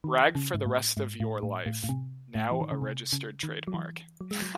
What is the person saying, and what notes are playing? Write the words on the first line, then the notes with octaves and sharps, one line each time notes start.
Brag for the rest of your life"", now a registered trademark.
D#3
C#3
G#2
A2
G#2
A2
A2
A2
A2
C3
A2
E3
D#3
C#3
C3
C#3
D#3
F#3
E3
F#3
G#3
F#3